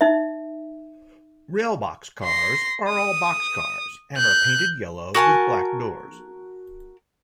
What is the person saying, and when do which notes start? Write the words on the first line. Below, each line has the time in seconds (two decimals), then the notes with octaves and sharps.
RailBox cars are all boxcars and are painted yellow with black doors.
0.01 D#4 E5
2.24 C6 A#6
2.89 D#6
4.17 F#6 G6
5.15 F#4 A#4 G#5 A5